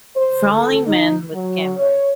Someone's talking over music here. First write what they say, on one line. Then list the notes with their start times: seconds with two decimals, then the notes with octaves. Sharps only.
Frowning man with camera.
0.16 C5
0.51 A4
0.87 D#4
1.33 F#3
1.78 C#5